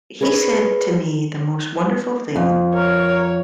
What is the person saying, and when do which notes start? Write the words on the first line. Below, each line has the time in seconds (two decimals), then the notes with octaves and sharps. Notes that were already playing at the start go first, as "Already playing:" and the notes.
he said to me the most wonderful thing.
0.21 G#4 A#4 B4 C#5 D#5
2.36 F2
2.74 A#4 C#5